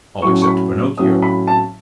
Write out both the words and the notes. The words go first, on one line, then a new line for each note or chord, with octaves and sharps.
All except Pinocchio.
A2 F#3 C#4 C#6
C#6
B5
A2 F#3 C#4 D#6
B5
A5